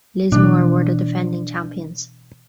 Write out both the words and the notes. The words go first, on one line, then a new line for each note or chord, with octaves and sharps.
Lismore were the defending champions.
B2 E3 D4